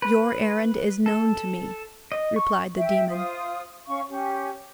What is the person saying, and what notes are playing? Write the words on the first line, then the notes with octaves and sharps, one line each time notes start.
"Your errand is known to me," replied the demon.
B4
A4
D#5
C#6
E5 G5
F4 C5 D#6
C#4 F5 C#6
C#4 G4